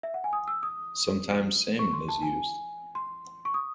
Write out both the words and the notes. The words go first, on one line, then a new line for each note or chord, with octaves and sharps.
Sometimes salmon is used.
E5
F#5
G#5
D#6
E6
D#6
C#6
C6
A5
G#5
C6
C#6
D#6